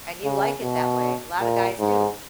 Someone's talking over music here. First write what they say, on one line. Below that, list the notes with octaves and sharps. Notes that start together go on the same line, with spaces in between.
and you like it that way. A lotta guys do.
C#3
B2
A#2
G#2